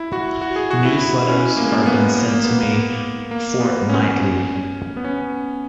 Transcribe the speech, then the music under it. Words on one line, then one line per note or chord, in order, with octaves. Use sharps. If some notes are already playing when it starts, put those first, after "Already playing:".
Newsletters are being sent to me fortnightly.
Already playing: E4
F#4
F#4
G#4
F#4
E4
E4
C#4
A#3
G#3
A#3
B3
A#3
A#3
B3
A#3
A#3
A#3
B3
C#4
B3
C#4